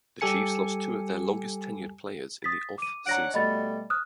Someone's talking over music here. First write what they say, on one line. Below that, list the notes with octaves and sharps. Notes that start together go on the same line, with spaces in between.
The Chiefs lost two of their longest tenured players in the offseason.
G3 G4 A4 G#5 C#7
D#6 A6 B6
D6 D#7
D4 C#5 F#5 A#5 A#6 D7
B2 G3 A3 D#5 B5 A6
D#6 F6 F#6